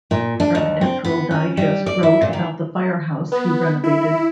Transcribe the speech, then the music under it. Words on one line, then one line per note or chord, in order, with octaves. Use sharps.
Architectural Digest wrote about the firehouse he renovated.
A#2
D4
D#2
C4
B3
C#4
G3
D5
E4
A#2
D#3
B3
E4